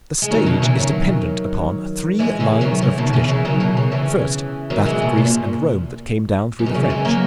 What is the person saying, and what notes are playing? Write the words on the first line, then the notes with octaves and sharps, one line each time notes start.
The stage is dependent upon three lines of tradition: first, that of Greece and Rome that came down through the French.
G#3
D#3 F#3
B2 D#3
C#3 E3
D#3 F#3
E3 G#3
C#3 E3
D#3 F#3
C#3 E3
B2 D#3
C#3 E3
C#3 E3
D#3 F#3
B2 D#3
C#3
C#3 E3
D#3 F#3
E3 G#3
B2
A#2
F#2
D#3
C#3 E3
E3 G#3
F#3 A#3